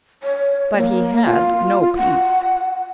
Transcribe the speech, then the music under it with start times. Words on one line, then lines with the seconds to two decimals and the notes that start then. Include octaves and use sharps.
But he had no peace!
0.23 C#5
0.76 A#3
1.25 F4
1.96 F#5